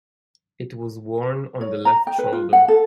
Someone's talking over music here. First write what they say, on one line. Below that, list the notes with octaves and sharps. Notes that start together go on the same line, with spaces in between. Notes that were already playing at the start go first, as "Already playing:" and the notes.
It is worn on the left shoulder.
C#5
A#5
G5
B4
F4
F#5
A4